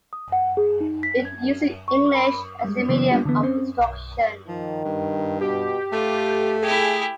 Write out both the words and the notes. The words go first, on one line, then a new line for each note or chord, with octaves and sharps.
It uses English as the medium of instruction.
D#6
F#5
G#4
D#4
B6
G#6
C#6
B5
G3 G#3
C#3 E3 F#3 B3
G3 A#3 B3 D4 F4 G4
D3 E3 B3
C4 C#4 C5
B1
D#3 F3
G2
B2 G4
A3 F4 A4
E4 G4 G#4